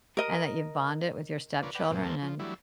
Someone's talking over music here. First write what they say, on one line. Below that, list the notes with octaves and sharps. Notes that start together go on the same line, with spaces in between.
and that you've bonded with your stepchildren and,
A#4 D#5
D3 F4 A#4 B4 C#5 D5
B4 D5 F#5 G5
F#2 A#2 G#3 C4
D#2 G#3 A#3 A4 C5
F3
E3 F#3 G3 A3 D4 E4